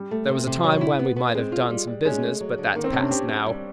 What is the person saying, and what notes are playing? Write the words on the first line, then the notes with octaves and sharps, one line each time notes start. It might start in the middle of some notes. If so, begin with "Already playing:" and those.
There was a time when we might have done some business; but that’s past now.
Already playing: G3
A3
C3
C3
F#3
E4
B3
B3
G#3 C4
F4
G3
G3
G#3 C#4
A3
F#3
D3
D#3 A#3
C4
C3 C#4
D4
C4 G4
C4
G3